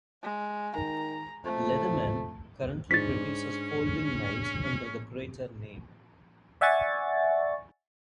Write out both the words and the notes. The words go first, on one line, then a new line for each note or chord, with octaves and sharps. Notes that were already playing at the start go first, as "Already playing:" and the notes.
Leatherman currently produces folding knives under the Crater name.
G#3
D#3 A#5
F2 A3
G#2 C#4 D4 A6 B6
D5 E5 F#5 G#5 C#6 A6